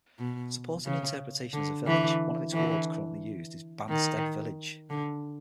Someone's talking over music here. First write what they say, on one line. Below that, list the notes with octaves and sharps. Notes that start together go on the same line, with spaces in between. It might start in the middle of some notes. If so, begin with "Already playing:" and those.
Supporting interpretation as a village, one of its wards currently used is "Banstead Village".
B2
C#3
D3
D3 E3
D3 E3
D#3
D3